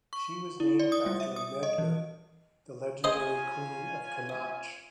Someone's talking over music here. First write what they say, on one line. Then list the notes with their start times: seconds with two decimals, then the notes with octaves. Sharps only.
She was named after Medb, the legendary queen of Connacht.
0.13 C#6
0.60 E4
0.80 D5
0.92 D#6
1.06 G3
1.20 E5
1.36 D#6
1.63 D#5
1.78 E3
3.04 C#4 F4 G#4 C5 D#5 G#5